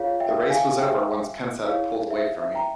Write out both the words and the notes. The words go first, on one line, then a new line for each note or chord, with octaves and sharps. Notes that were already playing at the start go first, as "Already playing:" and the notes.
The race was over once Kenseth pulled away from me.
Already playing: F4 G#4 C#5 F5
E5 G5
F5 G#5
E5 G5
E4 G#4 C#5 F5
E5
E5
G5 A#5